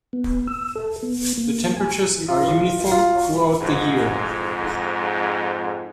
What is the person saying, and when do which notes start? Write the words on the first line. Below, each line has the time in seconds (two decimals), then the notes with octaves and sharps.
The temperatures are uniform throughout the year.
0.13 B3
0.47 E6
0.76 A4
1.03 B3
1.37 A#3
1.77 G#5
2.28 F4
2.91 F4
3.61 F2 G#2